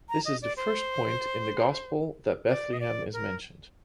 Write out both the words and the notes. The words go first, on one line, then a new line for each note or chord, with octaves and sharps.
This is the first point in the Gospel that Bethlehem is mentioned.
A#5
D#5
D5
C5
D5
D#5
D5
A#4